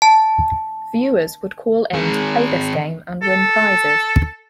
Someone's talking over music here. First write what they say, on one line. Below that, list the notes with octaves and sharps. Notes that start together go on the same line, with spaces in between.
Viewers would call in to play this game and win prizes.
A5
D#3 G#4
A4